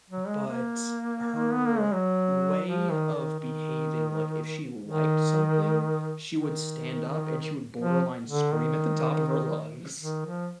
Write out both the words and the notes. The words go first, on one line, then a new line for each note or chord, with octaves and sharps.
but her way of behaving, like, if she liked something, she would stand up and she would borderline scream at the top of her lungs.
F#3
G#3
A#3
B3
A#3
G#3
F#3
F3
D#3
D#3
D#3
D#3
D#3
F3
D3
D#3
D#3
F3